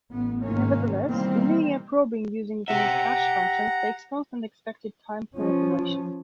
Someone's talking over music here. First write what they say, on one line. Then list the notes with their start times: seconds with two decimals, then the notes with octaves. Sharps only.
Nevertheless, linear probing using these hash functions takes constant expected time per operation.
0.11 A1 B3
0.42 F1 G#2 D#3 G#3 A#3 C#4
1.06 B2 D#3 E3 G3 A#3 C4
2.68 G4 E5 F#5 A#5
5.37 F3 C#4